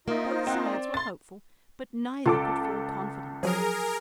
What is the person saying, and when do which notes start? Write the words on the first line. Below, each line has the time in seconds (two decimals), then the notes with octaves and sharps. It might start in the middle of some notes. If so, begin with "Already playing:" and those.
Both sides were hopeful, but neither could feel confident.
0.08 A#3 D#4 F4 D#5 E5
0.28 C5
0.47 C4 F#5
0.64 D5
0.94 C6 A6
2.26 C#2 F4 A4 D6
3.43 F3 F#3 G#4 A#4